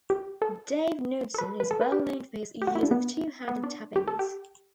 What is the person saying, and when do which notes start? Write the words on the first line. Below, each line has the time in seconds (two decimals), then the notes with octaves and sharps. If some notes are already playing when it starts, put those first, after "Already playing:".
Dave Knudson is well known for his use of two-handed tapping.
0.10 G4
0.42 A4
1.34 A4
1.38 B4
1.60 B4
1.71 A4
1.81 B4
1.92 G4
2.62 G4
2.67 F#4
2.75 E4
2.83 D4
2.91 B3
3.48 B3
3.64 D4
3.96 G4
4.08 A4
4.19 G4